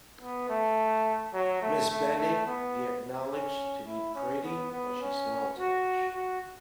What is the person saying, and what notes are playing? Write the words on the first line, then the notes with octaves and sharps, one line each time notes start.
Miss Bennet he acknowledged to be pretty, but she smiled too much.
B3
A3
F#3
A3
A3
A3
B3
C#4
E4
C#4
B3
B3
C#4
F#4
F#4